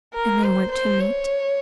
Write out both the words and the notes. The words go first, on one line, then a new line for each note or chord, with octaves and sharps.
And they went to meat.
A#4
C5
C5
C#5